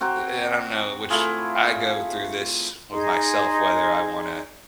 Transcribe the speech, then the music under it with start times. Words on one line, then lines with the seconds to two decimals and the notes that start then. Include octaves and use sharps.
eh, and I know which I go through this with myself whether I wanna,
0.01 C4 F#4 G5 A#5
1.10 A3 E4 F4 G#4
2.91 D#4 G#4 C6